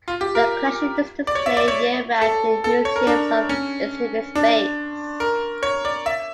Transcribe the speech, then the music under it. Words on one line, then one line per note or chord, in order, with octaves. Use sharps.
The collection is displayed year-round in the museum's of exhibit space.
F4
G4
A#4
D5
C#5
E5
D5
C#5
A4
A4
C#5
A#4
D4
C#4
D4
A#4
C#5
D5
E5